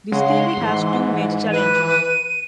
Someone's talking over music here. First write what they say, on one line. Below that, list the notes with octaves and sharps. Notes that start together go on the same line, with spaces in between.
This theory has two major challenges.
C#3 G#3 F#5 C6
G#2 E3
B4 D#7